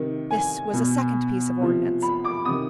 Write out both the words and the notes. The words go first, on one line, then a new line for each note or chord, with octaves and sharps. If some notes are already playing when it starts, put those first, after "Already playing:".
This was a second piece of ordnance.
Already playing: C3 D#3
G#5
B2
C3 F3
B5
D6
C3 D#3 D#6